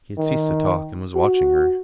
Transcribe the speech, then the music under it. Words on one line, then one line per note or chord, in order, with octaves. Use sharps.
He had ceased to talk, and was watching her.
D#3
F#4